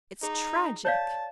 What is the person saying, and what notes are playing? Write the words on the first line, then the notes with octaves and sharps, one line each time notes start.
It's tragic.
D#4 G#4
C#5 D5 F5 A5